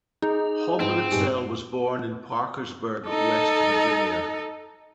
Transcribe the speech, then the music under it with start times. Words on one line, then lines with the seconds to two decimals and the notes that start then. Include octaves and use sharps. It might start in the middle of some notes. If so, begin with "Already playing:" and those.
Hoblitzell was born in Parkersburg, West Virginia.
0.22 D#4 G#4
0.80 G#2 B3 C4 E4
1.12 G2 A#2 G4 G#4
3.07 D#4 A4